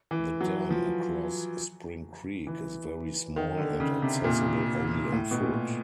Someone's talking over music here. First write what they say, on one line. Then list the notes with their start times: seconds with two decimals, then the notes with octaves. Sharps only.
The dam across Spring Creek is very small and accessible only on foot.
0.11 E3
0.41 F#3
0.70 F3
2.47 E3
3.36 D#3
3.58 D3
3.80 C#3
4.02 C3
4.24 A#2
5.13 A2
5.31 B2
5.42 A#2